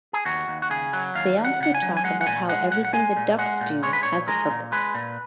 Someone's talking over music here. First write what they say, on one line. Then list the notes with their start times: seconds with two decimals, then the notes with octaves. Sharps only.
They also talk about how everything the ducks do has a purpose.
0.13 G#4
0.25 D#2 F#4
0.48 D#2
0.62 F#4
0.70 C#3 G#4
0.93 F#3
1.15 D#2 F5
1.38 D#2
1.45 F#5
1.60 C#3 F#5
1.75 G#5
1.82 F#3
1.97 G#5
2.04 G#3 F#5
2.21 F#5
2.27 A#2 G#5
2.49 G#3 F#5
2.71 A#2 F#5
2.85 F#5
2.93 G#3 G#5
3.16 A#2
3.38 G#3 F#5
3.61 A#2
3.83 G#3 C#5
3.93 B4
4.03 A#2 C#5
4.28 G#3 A#4
4.50 A#2
4.72 G#3 B4
4.94 A#2